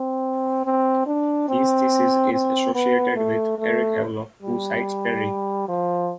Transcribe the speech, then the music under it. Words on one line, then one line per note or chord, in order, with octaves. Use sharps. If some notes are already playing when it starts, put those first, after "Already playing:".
This thesis is associated with Eric Havelock, who cites Parry.
Already playing: C4
C4
D4
C4
C4
B3
A3
A3
G3
F3